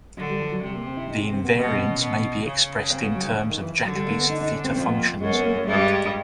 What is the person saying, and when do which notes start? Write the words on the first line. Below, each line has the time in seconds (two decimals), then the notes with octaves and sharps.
The invariants may be expressed in terms of Jacobi's theta functions.
0.17 D3 F#3
0.30 G3
0.41 F3
0.52 F#3
0.63 C3 G3
0.75 A#3
0.86 C4
0.97 E4
1.10 D#4
1.21 C#4
1.32 C4
1.43 B3
1.54 B2 A#3
1.66 B3
1.77 C4
1.90 C#4
2.00 B2
2.46 C#3
2.93 C4
3.03 B3
3.15 F#3
3.26 D#3
3.37 D3
3.49 D#3
3.61 E3
3.84 D3 F#3
3.95 G3
4.07 A#3
4.18 B3
4.29 D#4
4.41 D#4
4.52 C#4
4.64 C4
4.75 F2 F3 C4
4.87 B3
4.98 A#3
5.20 F#2 F#3 G#3
5.33 B3
5.44 A#3
5.56 A3
5.67 G2 G3 G#3